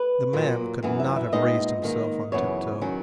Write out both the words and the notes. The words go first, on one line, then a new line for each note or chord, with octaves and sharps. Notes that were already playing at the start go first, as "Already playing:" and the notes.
The man could not have raised himself on tiptoe.
Already playing: B4
A#2 F#3 A#3
F#2 E3 B3
E5
E5
A#2 G#3 B3 D#4 D#5
G#2 D#3 A#3 D#4
F#2 C#3 E3 B3 C#5
D#3 F#3 C#4